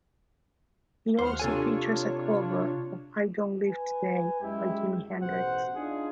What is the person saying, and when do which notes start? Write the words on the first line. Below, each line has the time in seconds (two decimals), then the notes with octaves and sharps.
It also features a cover of "I Don't Live Today" by Jimi Hendrix.
1.19 D#2 C5 F#5 F6
1.39 C3 D4 F4 A4 C#5 G#5
3.68 B4 G#5
4.41 F#2 G#3 E4 G4
5.21 A1 B2 C5 F#5
5.75 D4 D#4 F4 G#4